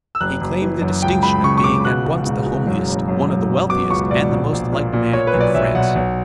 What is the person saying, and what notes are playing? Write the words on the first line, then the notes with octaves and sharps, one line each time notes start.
He claimed the distinction of being at once the homeliest, one of the wealthiest, and the most-liked man in France.
E6
F#1 F#6
F#1
E3
F#2
C#2 G5
C#2 B5
C#3 C#6
C#6
C#3 D6
B2 F#6
E1
E1
E1
F#2
F#1
F#2
F#2
B2
B2 D6
C#2 C#6
B2 D5
A#1
A#1
A#2
A#2
A#2 C#5
B4
B1
D5
B1 E5
B1 F#5
B1